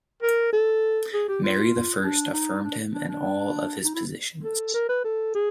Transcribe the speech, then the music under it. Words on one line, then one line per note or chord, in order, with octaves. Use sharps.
Mary the First affirmed him in all of his positions.
A#4
A4
G#4
G4
F4
D4
D#4
D4
D4
D4
D#4
E4
A4
A#4
B4
A4
G#4